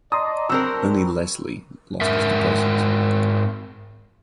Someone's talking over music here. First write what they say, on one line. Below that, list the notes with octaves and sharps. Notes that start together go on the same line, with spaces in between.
Only Leslie lost his deposit.
D5 D#5 A5 A#5 C6 D#6
F#3 C4 D4 A#4 B5 E6
G#2 A#4 E5